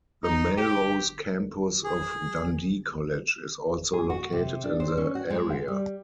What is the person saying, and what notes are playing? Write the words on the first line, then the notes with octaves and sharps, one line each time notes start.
The Melrose Campus of Dundee College is also located in the area.
D#4
G4
G#4
G#4
F#4
C3
D4
C5
C#4
F#4
G#3
G3